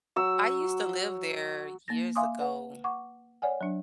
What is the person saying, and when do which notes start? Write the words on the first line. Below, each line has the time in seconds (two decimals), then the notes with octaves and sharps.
I used to live there years ago.
0.16 F#3 E6
1.88 A#3 A6 A#6
2.15 E5 F5 G#5 C6 D6 D#6
2.40 B4 F#5
2.84 F#5 C#6 D6
3.42 C#5 D5 F#5 G#5
3.61 F#3 D4